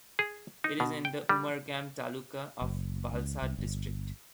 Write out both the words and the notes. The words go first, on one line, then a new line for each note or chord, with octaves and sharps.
It is in the Umargam taluka of Valsad district.
G#4
D#4
B2
G5
G3
F#1
C#2
C2
G1